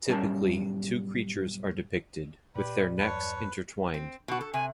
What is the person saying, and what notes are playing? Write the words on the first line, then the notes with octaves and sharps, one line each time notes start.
Typically, two creatures are depicted, with their necks intertwined.
B1 G#2 G3 C#4 A#4 A5
A#2 G4 B4 D5
E2 G2 F#3 B4 C#5 A5
C4
B2 F#4
A4
C3 G#5